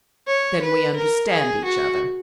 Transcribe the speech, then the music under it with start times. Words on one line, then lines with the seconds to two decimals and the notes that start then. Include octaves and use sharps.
"Then we understand each other."
0.28 C#5
0.62 B4
0.96 A#4
1.30 G#4
1.65 F#4